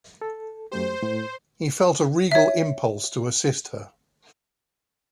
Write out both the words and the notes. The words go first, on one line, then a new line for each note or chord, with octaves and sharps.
He felt a regal impulse to assist her.
A4
F#2 A3 G4 C5
A2
C#5 E5